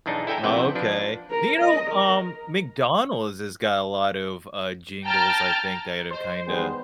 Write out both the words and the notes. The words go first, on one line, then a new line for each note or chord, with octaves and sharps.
Okay. Do you know, um, McDonald's has got a lot of, uh, jingles, I think, that have kinda
B1 E2 D4 D#4
E4 A4 G5 G#5 A#5
A#1 C3 E3 B4 F#5 G5
F3 D4 B4
A#4
D#5
A#4
G5 A5 A#5 F6 A6
C5 D#5
D#3 E3 G3 G#3 B3